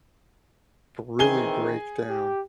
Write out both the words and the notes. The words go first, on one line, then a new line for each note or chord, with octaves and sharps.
but really break down
D#3 E3 C4 G#4 G#5 G7
G4